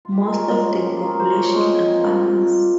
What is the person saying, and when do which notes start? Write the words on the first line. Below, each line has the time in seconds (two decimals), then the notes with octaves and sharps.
Most of the population are farmers.
0.05 F4
0.12 G4
0.18 G#3 G#4
0.27 A#4
0.35 C#4 C5
0.51 F4
0.69 F3
0.86 A#3 G4
0.97 G#4
1.03 F4 A#4
1.19 F3 C5
1.31 C#5
1.36 F3
1.42 C#5
1.53 G#3 D#5
1.71 C4
1.87 A#2
2.04 A#2